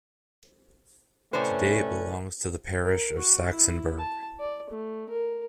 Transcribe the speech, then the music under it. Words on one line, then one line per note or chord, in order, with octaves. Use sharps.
Today it belongs to the parish of Sachsenberg.
A2 C3 A3 C#4 B4 C5 D5
A#4
F#4
E4
A5
D5
A3
A#4